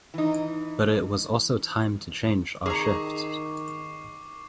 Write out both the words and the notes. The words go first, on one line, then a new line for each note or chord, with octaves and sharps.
But it was also time to change our shift.
E3 D#4
D#3 G#4 A#5 C#6 D6 C7